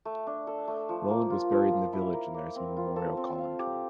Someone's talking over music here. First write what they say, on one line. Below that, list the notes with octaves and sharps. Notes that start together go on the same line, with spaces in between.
Rowland was buried in the village and there is a memorial column to him.
A3
D4
A4
A3
F3
A#3
F4
F3
F5
E4
A#4
A#3
C4
F4
A4
C4
F5
G4